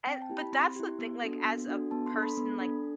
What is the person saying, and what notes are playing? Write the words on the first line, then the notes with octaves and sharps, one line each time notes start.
And, but that's the thing, like, as a person, like,
C4 G5
A5
E4 G4
B5
C4 C6
E4 G4
B3
D4 F#4 A4
B3
D4 F#4 A4
B3 A5
C6
D4 A4
B5
B3
D4 A4